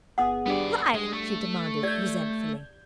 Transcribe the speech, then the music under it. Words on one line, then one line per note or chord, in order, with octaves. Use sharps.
"Why?" she demanded, resentfully.
G1 B3 G#4 F#5 D#6
G3 B3 D4 G4 D5
G#3
A3
G4 D5 G6 G#6